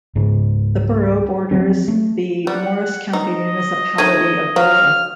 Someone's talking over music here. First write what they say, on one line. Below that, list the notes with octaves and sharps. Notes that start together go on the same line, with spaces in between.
The borough borders the Morris County municipality of Dover.
C#2 G#2 C#3
F3 F#3 C4 C#4
A3
G3 F#5
D#4 D#5
D#3 A3 G#6 D#7
F#3 F5 F6